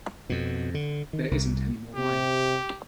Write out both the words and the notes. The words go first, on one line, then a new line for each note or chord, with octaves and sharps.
There isn't any more wine.
F2 B2
D3
D#3
C2
C3 G4